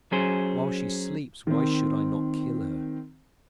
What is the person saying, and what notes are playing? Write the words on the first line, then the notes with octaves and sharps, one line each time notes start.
While she sleeps why should I not kill her?
F#3 C#4 G#4 C5
D#3 C4